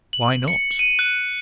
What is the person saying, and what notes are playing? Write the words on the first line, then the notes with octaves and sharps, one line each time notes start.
"Why not?"
F#7
C#7
D#7
F#6